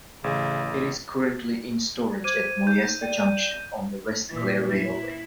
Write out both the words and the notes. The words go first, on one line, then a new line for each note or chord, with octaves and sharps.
It is currently in storage at Moyasta Junction on the West Clare Railway.
A1 C#3
C5 D6 G#6 D#7
D#4 G6
D5 G5 D#7
A#2 E3
E4